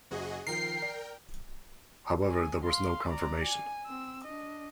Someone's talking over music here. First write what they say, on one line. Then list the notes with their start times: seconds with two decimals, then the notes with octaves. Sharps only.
However, there was no confirmation.
0.11 F#1 F#4 G#4 D#5
0.47 D#3 F3 A#4 G5 C7
0.82 D5
2.27 G#5
2.64 F5 C6
3.07 D5 A#5
3.45 G#5
3.86 C4 E6
4.24 D4 D#5